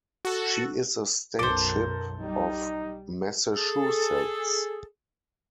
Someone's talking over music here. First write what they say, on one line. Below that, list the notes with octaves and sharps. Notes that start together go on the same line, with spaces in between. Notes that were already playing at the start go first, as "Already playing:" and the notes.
She is the State Ship of Massachusetts.
F#4 A4
B1 F#2 A4 A#4 C5 D6
G3 D#4
G#4 A4